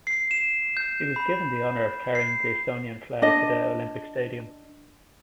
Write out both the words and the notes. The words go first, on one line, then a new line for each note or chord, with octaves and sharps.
He was given the honor of carrying the Estonian flag to the Olympic stadium.
C7
E7
G6
B5
C7
D4 D#5